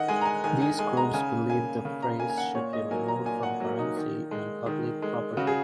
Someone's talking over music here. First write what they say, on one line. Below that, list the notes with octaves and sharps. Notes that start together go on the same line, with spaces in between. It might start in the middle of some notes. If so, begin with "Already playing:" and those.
These groups believe the phrase should be removed from currency and public property.
Already playing: D#3 D#5 F#5
G#3 G#5
A#5
G#5
D#3 G#5
G#5
G#3 G#5
A#5
C#3 G#5
A#3 G#5
C#3
A#5
A#3 G#5
G#5
F#5
A#2 C#5
D#5
F#3 A#3 G#5
A#5
A#2 G#5
F#5
F#3 A#3
D#4
D#3
G#3
D#3
G#3
C#3 F#4
G#4